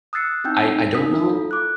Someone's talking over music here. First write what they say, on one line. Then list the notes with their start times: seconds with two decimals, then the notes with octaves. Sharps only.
I I don't know,
0.13 D#6 E6 F#6 A6 C7 C#7
0.44 C4 D#4 E4 G5 E6 G6
0.94 D#4 A#4 D#6 B6
1.29 E4 F4 A4
1.51 D6 F#6